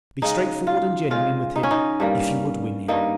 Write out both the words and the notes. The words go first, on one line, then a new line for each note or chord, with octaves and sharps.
Be straightforward and genuine with him if you would win him.
C#3 G#3 D#4
F4
C#3 G#3 F4
D#4
C#4
D#4
G2 G3 A#3
G2 G3 A#3 D#4